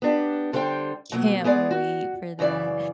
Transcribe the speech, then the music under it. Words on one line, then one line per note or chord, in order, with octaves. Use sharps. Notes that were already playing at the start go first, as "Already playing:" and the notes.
can't wait for that.
B3 D4 G4
D3 G3 C5 F5 G5
B2 F#3 A#3
G#3 B3 G#4 D5
F#4
F#2 C#3 E3 D5